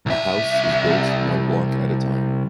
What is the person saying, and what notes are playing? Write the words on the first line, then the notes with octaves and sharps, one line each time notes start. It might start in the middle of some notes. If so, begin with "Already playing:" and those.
A house is built one block at a time.
C2 E5